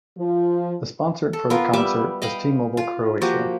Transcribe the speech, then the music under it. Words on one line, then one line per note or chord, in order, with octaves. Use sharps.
The sponsor for the concert was T-mobile Croatia.
F3
A4
B3 F4 A#4
G3 B3 E5 D6
D#5 F5 G5 B5
F4
F3 A#3 F#4 G4